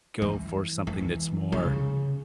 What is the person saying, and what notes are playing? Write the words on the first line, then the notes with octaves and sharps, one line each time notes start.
go for something that's more
E3
E3
C#3